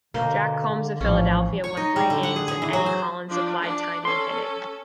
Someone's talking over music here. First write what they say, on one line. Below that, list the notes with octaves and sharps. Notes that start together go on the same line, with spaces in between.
Jack Coombs of Philadelphia won three games and Eddie Collins supplied timely hitting.
B2 D3 A#3 C5
A#1 A2 E3 F3 C#4
C#5
D#4
G3
D3
F#5
G#4
G#4
E3
F#3
C5
F3 D4
D4
C#4 A4 C6